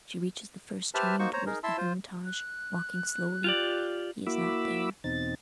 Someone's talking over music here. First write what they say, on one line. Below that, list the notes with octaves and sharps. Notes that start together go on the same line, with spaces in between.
She reaches the first turning towards the Hermitage, walking slowly--he is not there.
G4 B4 C5 E5 A5 F6
A#3 D#4 F#4 C5 C#6
C5 C#5 A#5
D#4 G#4 A#4
E4 E5 A5 C6 E6
F4 C5
F#6
F4 G4 D5
A#3 E4 F#4 B5 D6 E6
E2 B2 C4 D#4 A6